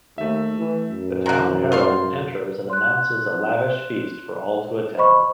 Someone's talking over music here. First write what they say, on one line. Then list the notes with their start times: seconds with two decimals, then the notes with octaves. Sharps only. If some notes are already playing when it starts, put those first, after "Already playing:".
The town Herald enters and announces a lavish feast for all to attend.
0.18 D#2 A3 E5
0.59 E3
0.90 F#2
1.26 C3 A#3 C5 A#5 F#6
1.72 F4 F5 C6
2.70 C6 F#6
4.97 C5 D#5 B5 C#6